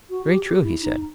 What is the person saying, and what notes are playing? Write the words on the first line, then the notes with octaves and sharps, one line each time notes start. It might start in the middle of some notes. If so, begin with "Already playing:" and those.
Very true, he said.
F#4
G4
G4
E4
D#4